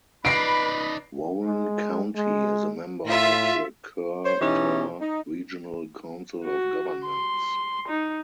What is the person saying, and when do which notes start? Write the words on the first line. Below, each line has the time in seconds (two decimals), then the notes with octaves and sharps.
Warren County is a member of the Kerr-Tar Regional Council of Governments.
0.25 D#4 B4 D5 B5 A#6 C7 D7
1.46 G#3
2.16 G#3
3.06 A2 F4 E5
4.25 C5 C#5
4.41 B2 E3 C#4 D#4 G4
5.01 D#4
6.44 F#4
7.06 C6
7.88 D#4